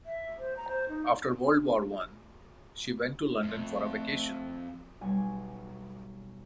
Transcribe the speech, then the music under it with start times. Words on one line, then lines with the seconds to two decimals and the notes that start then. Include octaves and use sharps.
After World War One, she went to London for a vacation.
0.06 E5
0.38 C5
0.57 A#5
0.68 C5
0.89 D#4
3.43 F2 A3
5.01 B1 G3 F#5 G#5